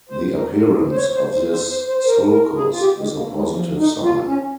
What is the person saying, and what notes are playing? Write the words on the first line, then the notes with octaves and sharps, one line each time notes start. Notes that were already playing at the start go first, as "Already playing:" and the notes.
The appearance of this sulcus is a positive sign.
C5
A#4
A#4
C5
C#5
C5
C5
C5
C5
C5
C5
A#4
A#4
G#4
F4
G4
G#3
A#3
G#3
F3
D#4
F4
C#4